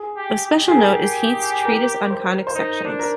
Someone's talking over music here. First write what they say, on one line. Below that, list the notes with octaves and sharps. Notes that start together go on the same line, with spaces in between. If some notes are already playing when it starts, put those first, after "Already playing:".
Of special note is Heath's "Treatise on Conic Sections".
Already playing: G#4
G4
G4
G#4
A#4
A#4
C5
C5
D#4 A#4
D4
A#4